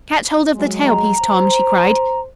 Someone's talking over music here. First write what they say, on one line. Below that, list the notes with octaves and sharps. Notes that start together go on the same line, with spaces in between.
"Catch hold of the tail piece, Tom," she cried.
F#3 G#3
A#5
C5